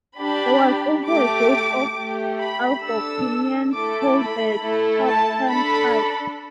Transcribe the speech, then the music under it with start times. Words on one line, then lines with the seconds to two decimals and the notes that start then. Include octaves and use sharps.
There was also a group of Algonquians called the Choptank tribe.
0.18 D4 G4 B5
1.06 A3 G4 D6
1.95 A3 G4
2.39 B5
2.84 D4 A4 E6
3.72 A3 E4 A4 D6
4.16 B5
4.61 A3 E4 A4
5.05 A5
5.49 D4 A4 B5